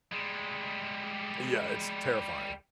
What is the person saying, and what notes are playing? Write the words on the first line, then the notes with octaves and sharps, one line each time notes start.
Yeah, it's terrifying.
G3 G#3